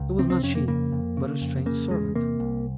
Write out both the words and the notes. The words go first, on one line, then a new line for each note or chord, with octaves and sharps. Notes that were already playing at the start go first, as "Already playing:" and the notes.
It was not she, but a strange servant.
Already playing: C#2
C3 C4
C4
F2 C#4
A#3
C#3 A#3
F2
C#3
F2
C#3 A#3
E2 G#3
C3 A#3
C2